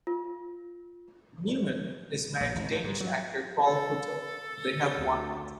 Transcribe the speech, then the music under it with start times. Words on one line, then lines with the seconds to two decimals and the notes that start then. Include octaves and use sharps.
Neumann is married to Danish actor Paul Hüttel; they have one daughter.
0.07 F4
2.40 A#1
2.55 G#1
2.71 A2
2.84 G#2
3.00 F#3
3.66 A4
4.94 D2